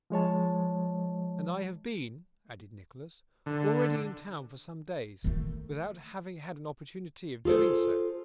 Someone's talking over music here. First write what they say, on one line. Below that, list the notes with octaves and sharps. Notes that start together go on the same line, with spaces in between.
'And I have been,' added Nicholas, 'already in town for some days, without having had an opportunity of doing so.'
F3 G#3 C#5 A5
D3
D#3 A3
F4 G#4 A4 C5